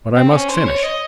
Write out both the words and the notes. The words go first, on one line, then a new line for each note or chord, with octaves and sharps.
But I must finish.
C4
C#4
C5
C#5
C#5
D#5